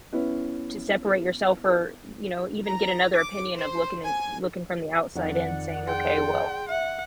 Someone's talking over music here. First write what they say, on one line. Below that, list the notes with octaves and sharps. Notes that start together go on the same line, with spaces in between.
to separate yourself, or, you know, even get another opinion of looking and looking from the outside in saying, "Okay, well,
B3 C#4 E4
A#5
D6
C5
G#5
F2 D#3 D5 F#5
G#4 G5 C6
E5 F#5